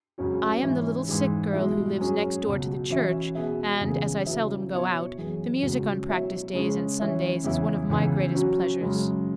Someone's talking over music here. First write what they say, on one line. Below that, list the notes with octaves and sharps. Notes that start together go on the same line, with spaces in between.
I am the little sick girl who lives next door to the church, and, as I seldom go out, the music on practice days and Sundays is one of my greatest pleasures.
C#2 C#3 F#3 C#4 F#4
G#2 E3 C#4 E4
G#2 E3 G#3
B2 G#3 E4
F#2 F#3 C#4 G#4
C#2 B2 F#3
E3 C#4 F#4 E5
B2 B3 G#4 E5
C#2 C#3 E3 B3 G#4
C#3 F#3 E4 B4 E5
B2 B3 E4 C#5 E5
F#2 E3 B3 G#4 B4
C#2 B2 G#3 C#4 F#4
B2 F#3 E4 C#5 E5
C#3 G#3 C#4 G#4
E3 C#4 E4 C#5 E5
E2 C#3 E3 C#4 E4
C#2 C#3 E3 B3
F#3 C#4 F#4
F#2 C#3 G#3